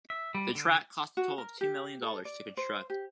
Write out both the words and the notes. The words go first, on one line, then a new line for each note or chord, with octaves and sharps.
The track cost a total of two million dollars to construct.
E5
G3
D3
F#4
A#4
G4
A4
D5
C5
G4